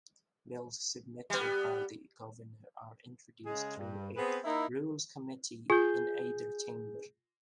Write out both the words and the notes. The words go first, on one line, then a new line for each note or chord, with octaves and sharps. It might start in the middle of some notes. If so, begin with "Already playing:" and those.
Bills submitted by the governor are introduced through a Rules Committee in either chamber.
G3 B3
C#3 G#3 G#4
G2
B3 C4 G#4 B4
A#3 D#4 E4
F4 G#4 G6